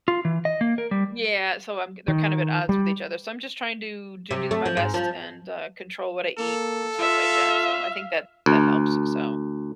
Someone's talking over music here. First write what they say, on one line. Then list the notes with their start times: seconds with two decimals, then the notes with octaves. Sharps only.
yeah. So I'm they're kind of at odds with each other, so I'm just trying to to do my best and, uh, control what I eat and stuff like that, so I think that that helps, so
0.08 F4
0.25 E3
0.45 D#5
0.61 A#3
0.78 A#4
0.91 G3
2.08 D#3
2.69 G3
4.31 C3
4.51 A3
4.66 F3
4.77 G#2
4.94 F3
6.39 A#3 A4
6.99 F4 E5 F5
8.46 D2